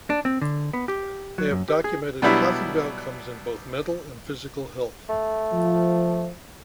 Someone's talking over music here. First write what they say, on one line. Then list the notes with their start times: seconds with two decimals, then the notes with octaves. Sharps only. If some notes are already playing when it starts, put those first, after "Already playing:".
They have documented positive outcomes in both mental and physical health.
0.10 D4
0.25 C4
0.41 D3
0.73 B3
0.88 G4
1.38 F#3
1.51 F#2
1.68 G4
1.84 G#4
2.22 B2 F#3 G3 D4 E4 B5
5.09 A3
5.53 F3